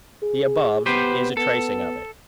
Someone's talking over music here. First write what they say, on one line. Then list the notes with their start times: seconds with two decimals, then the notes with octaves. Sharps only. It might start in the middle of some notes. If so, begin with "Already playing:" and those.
The above is a tracing of it.
0.22 G#4
0.86 B3 G4 B4 C5
1.37 B3 A4